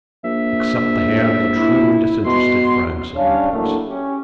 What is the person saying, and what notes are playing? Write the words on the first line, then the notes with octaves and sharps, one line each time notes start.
"Accept the hand of a true and disinterested friend," said Lupex.
A#1 E5
E4
B2 C6
G3 C#4 D4 C#5 F5
A2 F#3 A3 A#3 D4 E4
C#4 G4